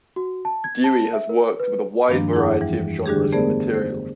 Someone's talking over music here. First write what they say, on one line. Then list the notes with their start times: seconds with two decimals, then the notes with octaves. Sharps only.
Dewey has worked with a wide variety of genres and materials.
0.16 F#4
0.45 A5
0.64 G#6
0.84 A5
1.13 E5
1.29 A#4
1.60 B4
2.08 G2 D#3 F3 G#3 A#3 D4
2.32 F2 E4 G#4 F#5 D6
2.61 E3 G3
3.06 D3 G3 D4 G4 G#4
3.33 A3 B3 G#4 A#4 C5 D5
3.74 C5